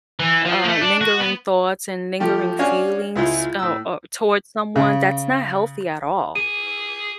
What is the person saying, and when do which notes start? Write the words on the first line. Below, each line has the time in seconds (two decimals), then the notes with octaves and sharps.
uh, lingering thoughts and lingering feelings, uh uh, towards someone that's not healthy at all.
0.20 E3
0.45 F3
0.64 A3 A#3
0.81 D4
1.01 F#4
1.20 B3
2.20 F3 A3 G4
2.59 C#4 D4 F#4 C#5 F5 G#5
3.16 C#2 G#3 E4 F4
3.59 A2 E6
4.76 C#3
6.35 G#4 D#7